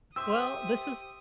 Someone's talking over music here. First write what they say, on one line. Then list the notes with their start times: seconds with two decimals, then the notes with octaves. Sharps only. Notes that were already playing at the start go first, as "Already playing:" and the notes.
Well, this has
0.16 G4 C5 E5 D#6 E6